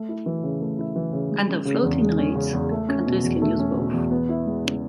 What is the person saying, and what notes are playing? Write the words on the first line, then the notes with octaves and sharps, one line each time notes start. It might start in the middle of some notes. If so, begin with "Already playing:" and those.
Under floating rates, countries can use both.
Already playing: A3
E4
E3
C#3
A3
E4
E3
C#3
G#3
C#4
C#3
E2
G#3
C#4
C#3
E2
A3
C#4
B2
E2
A3
C#4
B2
E2
B3
E4
G#3
C#3